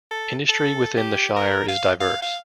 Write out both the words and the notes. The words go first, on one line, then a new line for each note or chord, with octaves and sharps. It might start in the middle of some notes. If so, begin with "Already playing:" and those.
Industry within the shire is diverse.
A4
A4
G4
A#4
F5
F5
F5